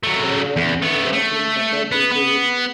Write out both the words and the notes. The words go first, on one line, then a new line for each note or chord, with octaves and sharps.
There are many bathrooms attached to it.
F#3 A3
E2
A3 B3
A3
B3
B3